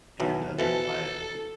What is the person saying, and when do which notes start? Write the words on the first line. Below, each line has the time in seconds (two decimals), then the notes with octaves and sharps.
and, uh, that's why
0.20 B1 E3 F#3
0.59 B2 E3 F3 A4